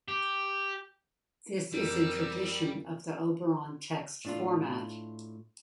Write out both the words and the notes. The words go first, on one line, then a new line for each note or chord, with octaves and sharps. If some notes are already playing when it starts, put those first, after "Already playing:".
This is in tradition of the Oberon Text format.
G4
F2 G3 A#4 E6
A2 D4 F4